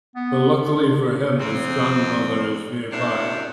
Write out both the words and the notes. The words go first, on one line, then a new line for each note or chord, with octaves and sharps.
But luckily for him his grandmother is nearby.
B3
F2 C4
F#2 C3 D4 E4